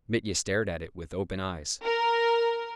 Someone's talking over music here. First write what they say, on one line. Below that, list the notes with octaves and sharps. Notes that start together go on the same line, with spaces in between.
Mitya stared at it with open eyes.
A#4